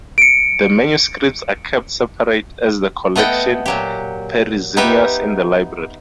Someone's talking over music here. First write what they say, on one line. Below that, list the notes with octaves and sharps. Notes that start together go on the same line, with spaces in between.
The manuscripts are kept separate as the Collection Perizonius in the library.
C#7 D7
A3 B3 D#5 F#5 G5
A#2 F#3 G4
B3 D#4 G4 B4 E5 G5